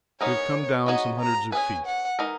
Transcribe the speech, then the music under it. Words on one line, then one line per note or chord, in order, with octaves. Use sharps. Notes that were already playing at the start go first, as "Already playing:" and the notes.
We have come down some hundreds of feet.
E3 G#3 B3 D#4 A#4 C#5
G#3 B3 D#4 F#4 C#5 D#5
A#5
C#4 G#4 B4 G#5
F#5
E3 G#3 D#4 A#4